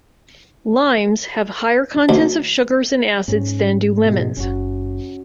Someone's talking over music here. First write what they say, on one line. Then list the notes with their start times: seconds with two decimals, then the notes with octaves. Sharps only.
Limes have higher contents of sugars and acids than do lemons.
2.09 D2
3.28 G#2 C#4
4.05 B2 G#3
4.37 F#1 C#4 F#4